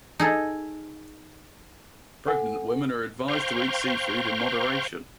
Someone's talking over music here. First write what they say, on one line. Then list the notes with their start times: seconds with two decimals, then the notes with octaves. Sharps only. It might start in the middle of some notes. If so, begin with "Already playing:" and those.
Pregnant women are advised to eat seafood in moderation.
0.20 D#4 G#4 A4
2.27 A4 F#5 G#5
3.28 C5 F5 G5 A#5 C6 C#6